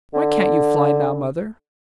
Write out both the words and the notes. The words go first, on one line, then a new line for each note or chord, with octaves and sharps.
"Why can't you fly now, mother?"
D3